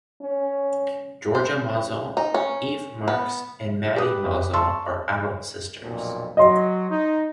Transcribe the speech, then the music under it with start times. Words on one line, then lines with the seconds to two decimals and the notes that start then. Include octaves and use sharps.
Georgia Mozell, Eve Marks and Maddy Mozell are adult sisters.
0.22 C#4
1.35 C5
2.17 D#4
2.34 C#4
3.08 B3
3.96 G4 B4 D#6
4.53 A5 C6 C#6 E6
5.82 B1 F2 A#2
6.37 F#3 D#5 C6
6.91 D#4